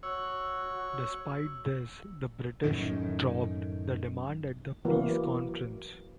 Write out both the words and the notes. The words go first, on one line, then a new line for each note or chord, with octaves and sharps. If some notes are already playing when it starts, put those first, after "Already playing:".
Despite this, the British dropped the demand at the peace conference.
F#4 C#5 E6
F#2 A2 D#3
E3 F#3 A#3 B3